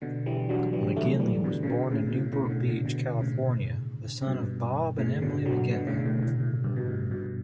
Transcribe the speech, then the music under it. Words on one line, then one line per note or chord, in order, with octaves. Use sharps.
McGinley was born in Newport Beach, California, the son of Bob and Emily McGinley.
B2 D3
E3 G3
D3 F#3
E3 G3
F#3 A3
E3 G3
B2 D3
C#3
B2 D3
A2 C#3
B2
A2 C#3
A2 C#3
D3
A2 C#3
B2 D3
B2 D3
A2 C#3
C#3
G2 B2
A2 C#3
B2 D3
D3 F#3
B2 D3
A2 C#3
A2
A2
A2
G2
B2
A2
G2 B2